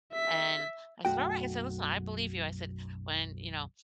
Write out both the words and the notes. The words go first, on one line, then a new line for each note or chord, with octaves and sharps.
And, I said, "Alright" I said, "Listen, I believe you," I said, "when," you know,
E5 B6
B1 F#2 A3 F#4 G5